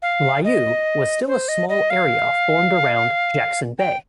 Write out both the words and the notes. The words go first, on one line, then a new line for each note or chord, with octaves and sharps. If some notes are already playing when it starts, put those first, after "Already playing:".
Layou was still a small area formed around Jackson Bay.
F5
D#5
C5
D#5
D#5
F5
G5